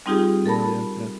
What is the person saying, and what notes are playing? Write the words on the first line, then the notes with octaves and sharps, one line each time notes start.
Oh, yeah. Yeah.
G3 C4 D#4 F4 G4 G#4
A4 A#4 A5 B5